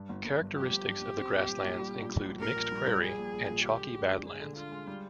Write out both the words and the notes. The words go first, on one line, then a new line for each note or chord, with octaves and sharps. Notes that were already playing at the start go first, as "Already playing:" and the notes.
Characteristics of the grasslands include mixed prairie and chalky badlands.
Already playing: G2
G1
G1
G2
F3 G4
G1
G2
G1
C4
A#2
G3
A#2
G3
A#2
G3
A#1
A#2 A#4
A#1
G3
G3
G3 G#4
A#1
A#1
A#2
D3 G4
G#3
G#3
D4
D4 G#4
D3
D4 F4
G#3
G3